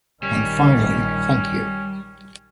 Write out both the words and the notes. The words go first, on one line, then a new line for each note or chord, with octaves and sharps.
And finally, thank you.
A#1 D#3 G3 C#4